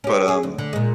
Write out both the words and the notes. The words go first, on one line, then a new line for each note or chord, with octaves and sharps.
but, um.
C#4 G4
G#4
D2
D3
A#2 G#3